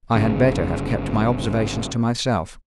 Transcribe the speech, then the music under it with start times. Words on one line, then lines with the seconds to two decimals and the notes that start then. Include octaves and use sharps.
I had better have kept my observations to myself.
0.15 G1 C#3